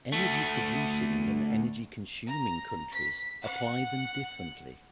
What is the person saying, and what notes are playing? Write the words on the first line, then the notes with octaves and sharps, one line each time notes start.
Energy producing and energy consuming countries apply them differently.
D2 A3
A#5
B6
F#5